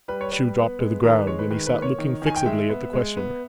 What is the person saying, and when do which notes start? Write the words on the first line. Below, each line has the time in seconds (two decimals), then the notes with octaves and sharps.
The shoe dropped to the ground, and he sat looking fixedly at the questioner.
0.08 G3 B4
0.21 C#5
0.32 G3 B4
0.56 B3
0.79 G#3
1.03 D#3 A#4
1.15 B4
1.27 G#3 C#5
1.39 B4
1.51 D#3 B4
1.67 B4
1.74 A#3
1.82 C#5
1.99 D#3
2.22 D#3 G#5
2.36 G5
2.46 G#3 E5
2.70 B3
2.93 G#3
3.17 B3